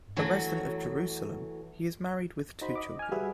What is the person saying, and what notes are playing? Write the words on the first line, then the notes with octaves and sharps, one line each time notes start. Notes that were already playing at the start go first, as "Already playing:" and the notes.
A resident of Jerusalem, he is married with two children.
E3 F#3 A3
D#4 F#4 C5 B5
D#5 D6
G#5 F6
G3 F#4 G#4 B4 E5